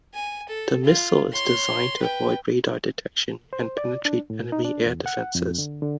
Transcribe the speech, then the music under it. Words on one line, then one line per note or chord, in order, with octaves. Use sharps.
The missile is designed to avoid radar detection and penetrate enemy air defences.
G#5
A4
F4
C#5 C6
B4 G5
C5
D5
D4
A2
D#4
D4
E2
F#5
F2
D3
D3